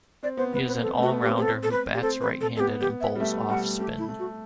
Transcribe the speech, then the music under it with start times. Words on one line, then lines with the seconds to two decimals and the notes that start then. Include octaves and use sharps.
He is an all-rounder, who bats right-handed and bowls off spin.
0.23 C4 D5
0.37 B3 C5
0.53 B3 B4
0.67 C4 B4
0.82 B3 A4
0.98 A3 F#4
1.12 B3
1.22 G4
1.27 C4
1.38 G4
1.42 A4
1.63 A4
1.72 B4
1.94 G4
2.01 C4 A4
2.21 B4
2.41 A4
2.56 A4
2.60 B3 G4
2.81 G4
3.01 E5
3.15 G3
3.20 A3 E5
3.49 G3 F#5
3.79 A3 G4
3.98 E4
4.09 A3
4.19 F#4